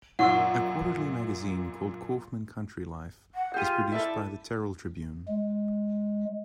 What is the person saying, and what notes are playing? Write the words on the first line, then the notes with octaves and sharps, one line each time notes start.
A quarterly magazine called "Kaufman County Life" is produced by the "Terrell Tribune".
F#2 A#2 F#5 C#6 E6
F#5
F4 G4 G#4 G6 D#7
E4 A4 D5 E5
G#3